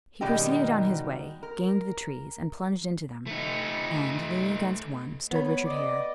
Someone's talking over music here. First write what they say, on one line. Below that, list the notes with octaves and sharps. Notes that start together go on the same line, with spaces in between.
He proceeded on his way, gained the trees, and plunged into them; and, leaning against one, stood Richard Hare.
B2 D#3 G3 G#3 D#4 G4
A#4
A3 D#4
B3 C#5 B5
D5 D#5